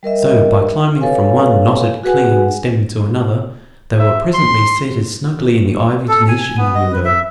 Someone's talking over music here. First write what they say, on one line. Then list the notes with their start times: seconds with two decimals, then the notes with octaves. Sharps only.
So, by climbing from one knotted, clinging stem to another, they were presently seated snugly in the ivied niche in the window.
0.03 G3 A#4 D#5 E5
1.01 A4 B4 C#5 F5 G#5
2.04 F#4 G#4 B4 F#5 G#5
3.99 E5
4.34 C6
6.08 A4
6.28 G#5
6.41 G#5
6.57 B3
6.75 D#5
6.92 B4
7.05 E5